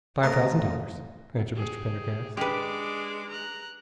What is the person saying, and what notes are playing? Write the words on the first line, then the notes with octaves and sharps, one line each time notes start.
"Five thousand dollars," answered Mr. Pendergast.
D2 A#2 A#4 D#5 A5
G4 G#4
G#3 D4 G4 B4 D6
A#5 F#6